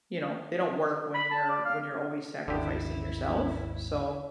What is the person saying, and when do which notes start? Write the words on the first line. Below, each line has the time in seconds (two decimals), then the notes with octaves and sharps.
You know, they don't work when you're when you're always sacrificing yourself, so
1.14 B5
1.31 A5
1.49 D5
1.65 F5
2.48 G#1 D#2 D3 E4 G4